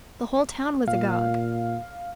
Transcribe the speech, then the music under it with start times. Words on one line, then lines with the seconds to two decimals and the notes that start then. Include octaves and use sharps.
The whole town was agog.
0.88 A#2 F5